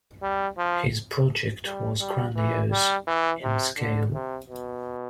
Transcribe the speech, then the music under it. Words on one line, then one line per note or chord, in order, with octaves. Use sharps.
His project was grandiose in scale.
G3
F3
G3
G3
E3
G3
E3
C3
D3
C3
B2